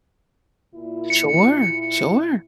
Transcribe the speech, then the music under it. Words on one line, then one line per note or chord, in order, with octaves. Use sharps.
Sure, sure.
A#2 E4
C#7